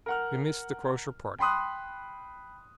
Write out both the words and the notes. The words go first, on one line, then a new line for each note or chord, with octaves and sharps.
We miss the Crozier Party.
A#4 F#5 F6
G5 B5 C6 D#6 F#6